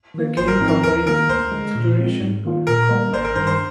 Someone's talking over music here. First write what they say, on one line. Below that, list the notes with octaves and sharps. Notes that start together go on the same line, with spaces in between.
The game combines exploration and combat.
D#3 A#3
G#1 C5
A#4
G#2 F3 C4 D#4
A#4
D#2 A#4
D#3 A#3 A#4
D2 C5
D3 G#3
A#2
G#3 C4
G#2
D#3 A#3 F4
A#2 A#4
G3 A#3
G#1 C5
A#4
G2 D#3 C5
C5